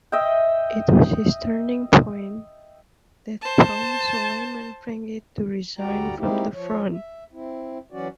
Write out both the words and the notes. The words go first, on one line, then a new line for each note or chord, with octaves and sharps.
It was this turning point that prompted Suleiman Frangieh to resign from the Front.
D#5 E5 G5
C5 A5
D2 G3 F#4 D5 G5 A#5
G3 A#3 C4 D#4 E4 G4
F3 C#5
E5
C4 E4
E3 F#3 C#4 F#4 D5